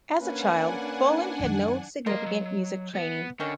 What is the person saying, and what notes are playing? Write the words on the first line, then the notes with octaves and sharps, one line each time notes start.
As a child, Follin had no significant music training.
A#3 C#4 D4 B4 F#5 G#5
F#2 D#3
A3 F4 A#4 D#5 A#5
F#3
B3
D3 D#3 F#3 C#4